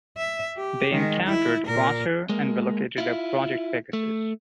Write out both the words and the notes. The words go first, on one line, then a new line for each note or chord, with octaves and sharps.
They encountered Quasar, and relocated to Project Pegasus.
E5
G4
D#3 G#3
E4
A#2 A#4
G#3 A#3
E4 F4
A3